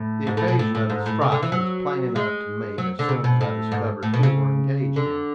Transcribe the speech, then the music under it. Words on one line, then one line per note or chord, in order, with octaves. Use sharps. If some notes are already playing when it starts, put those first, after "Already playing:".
The occasion of the strife was plain enough to me as soon as I discovered who were engaged in it.
Already playing: A2
G#2
A2
B2
A2
A2
G#2
A2
C#3
D3
E3
F#3
G#3
F#3
D3
C#3
B2
A2
G#2
A2
B2
C#3
D3